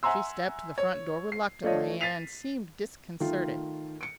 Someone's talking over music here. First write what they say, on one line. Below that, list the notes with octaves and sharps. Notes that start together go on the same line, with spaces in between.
She stepped to the front door reluctantly, and seemed disconcerted.
E5 F#5 G#5 A#5 C6 E6
C#5
C7
F3 A3 D4 F4 C#5 D#5
A6 B6 C7 D#7 F7
D#3 A3 F4
C#7 D7